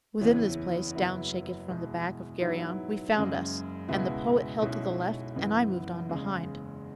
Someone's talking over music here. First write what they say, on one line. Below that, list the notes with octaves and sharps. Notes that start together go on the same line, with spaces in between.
Within this place, down shaken from the back Of Geryon, we found us; and the Poet Held to the left, and I moved on behind.
F#1 E2 E3 C#4 E4
F#1 F#2 F#3 B3 E4
E2 B2 G#3 E4
G#2 F#3 B3 E4
F#1 F#2 C#3 G#3
C#2 B2 G#3 B3 E4
B1 B2 G#3 C#4 E4
F#1 F#2 E3 B3
F#1 E2 C#3 G#3